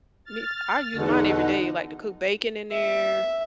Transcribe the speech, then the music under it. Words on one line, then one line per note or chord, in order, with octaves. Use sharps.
Meat, I use mine every day, like to cook bacon in there,
F6 A6
E2 B2 D3 D#4 F#5
E5